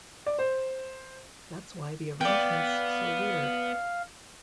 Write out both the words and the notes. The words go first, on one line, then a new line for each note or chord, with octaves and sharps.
That's why the arrangement's so weird.
D5
C5
B3 D5 F5 G5